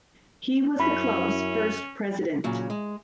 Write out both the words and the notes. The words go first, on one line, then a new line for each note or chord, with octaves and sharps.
He was the club's first president.
F#2 C#4 E4 B5
A#2 C#3 F#3
G#3